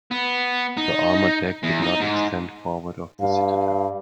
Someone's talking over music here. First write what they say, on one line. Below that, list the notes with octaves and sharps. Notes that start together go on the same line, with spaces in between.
The armor deck did not extend forward of the citadel.
B3
D#4
E2
D#4
G#2
G2 F5